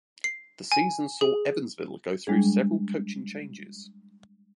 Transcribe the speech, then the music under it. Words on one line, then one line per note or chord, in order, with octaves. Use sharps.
The season saw Evansville go through several coaching changes.
C7
G#5
G#4
G3 G#3 D4 G#4